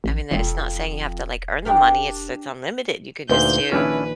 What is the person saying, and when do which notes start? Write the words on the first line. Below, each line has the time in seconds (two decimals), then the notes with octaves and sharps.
I mean, that it's not saying you have to, like, earn the money, it's it's unlimited you could just do
0.04 A1
0.31 E1 F2 F4
1.65 D4 G4 A#4
3.29 D2 A#2 D#4 B4 C6 G6
3.72 A#1 D#3 C#4 D4 E4 B4 G#5